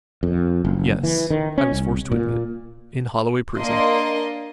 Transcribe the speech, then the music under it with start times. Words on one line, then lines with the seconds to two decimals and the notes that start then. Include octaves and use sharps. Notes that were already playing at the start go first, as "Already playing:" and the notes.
"Yes," I was forced to admit; "in Holloway prison."
0.23 F2
0.65 F#1
1.03 E3
1.30 D#3
1.58 C#4
1.71 C2
2.12 A#2
3.57 A#3 D4 D#5 C6